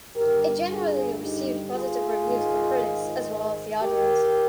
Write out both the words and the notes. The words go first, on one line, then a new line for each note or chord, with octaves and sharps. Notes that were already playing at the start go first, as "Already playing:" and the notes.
It generally received positive reviews from critics as well as the audience.
G2 D3 G3 G4 A#4
F4 G#4
D#4 G4
F4 G#4
G#2 D#3 G#3
G4 A#4